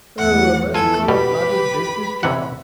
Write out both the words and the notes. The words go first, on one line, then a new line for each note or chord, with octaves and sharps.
Oh, a most cold-blooded business, John!
E2 A2 E3 F#5
E2 E3 F4 A4 G#5
B2 G3 G4 B4 B5
C3 E3 F#5